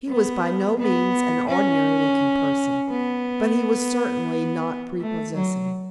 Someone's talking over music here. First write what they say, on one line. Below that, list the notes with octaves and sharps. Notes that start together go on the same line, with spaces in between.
He was by no means an ordinary looking person, but he was certainly not prepossessing.
B3
B3
C#4
B3
A3
F#3